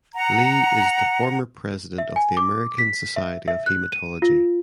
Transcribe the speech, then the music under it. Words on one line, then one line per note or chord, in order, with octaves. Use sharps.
Lee is the former President of the American Society of Hematology.
F#5 A#5
E5
G#5
D6
B6
E5
E5
F#6
D#7
F4